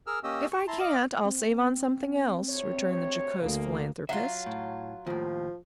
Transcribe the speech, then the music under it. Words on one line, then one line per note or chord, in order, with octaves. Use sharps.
"If I can't, I'll save on something else," returned the jocose philanthropist.
G#4 A#4 E6 F6
A#3 C#4 G4 D#5 E6
C#6
E4 A5 A#5 C6
D#5 F5 D6
C4
D2 C3 C#5
D2 G2 A#3
F#3 F4 E5 F5
A2
D#2 A2 F3